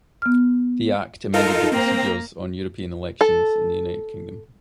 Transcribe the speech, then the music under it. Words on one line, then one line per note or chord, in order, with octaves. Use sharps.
The Act amended the procedures on European elections in the United Kingdom.
B3 F6
D#4 F4 A4 A#4
A#3 C4 A#5
A4